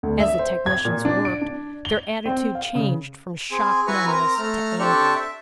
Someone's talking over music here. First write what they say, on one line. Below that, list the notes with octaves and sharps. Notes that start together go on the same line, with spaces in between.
As the technicians worked, their attitude changed from shocked numbness to anger.
D2
E5
C5
G#6
A#2
D4
D7
D4
G7
C4
F5
C#3
C4 G#4
E4 F#4 B4 G#5 A#5 C#6
C4 A#4 A#5
A3 A#5 F6
C4 D4 G4 A4 D5 C#6
E5